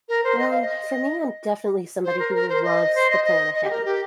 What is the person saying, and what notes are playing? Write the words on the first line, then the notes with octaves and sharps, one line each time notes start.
Well, for me, I'm definitely somebody who loves to plan ahead.
A#4
C5
D#5
F5
D#5
C5
A#4
A#4
C5
D#5
C5
D#5
D#5
D#5
G4
A#4
G4